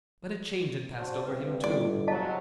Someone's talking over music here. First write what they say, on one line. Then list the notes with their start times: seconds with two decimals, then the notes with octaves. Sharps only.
But a change had passed over him, too.
0.97 D4 F#4 C5
1.26 E2 G2 C4 B4
1.64 G1 D5
2.08 G#2 C3 F#3 D#5 F5 A5